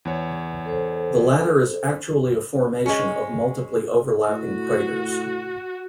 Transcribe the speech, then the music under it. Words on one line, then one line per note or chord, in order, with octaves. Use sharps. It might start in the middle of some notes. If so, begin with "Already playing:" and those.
The latter is actually a formation of multiply overlapping craters.
E2 C#5
A4 C5
G#3 C#4
A2 F#4